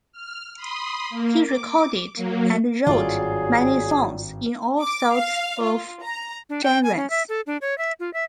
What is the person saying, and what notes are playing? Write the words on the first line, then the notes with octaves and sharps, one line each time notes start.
He recorded and wrote many songs in all sorts of genres.
F6
B5 C6 D#6
A#3
D6
F#3 A#3
G#1 G2 F#3 F4 G#4 D5
D6
F5
F4
A#5
D4
G5
G#5
C#4
E5
A4
D4
C#5
E5
F4
E5